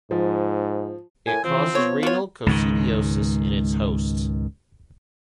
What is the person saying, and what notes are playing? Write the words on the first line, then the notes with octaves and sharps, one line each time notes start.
It causes renal coccidiosis in its host.
G#2 F3
A2 A#4 G#5
E3 F3 C4
B3 C#5
F4 F#4 C#5
C#2 G#2 D#3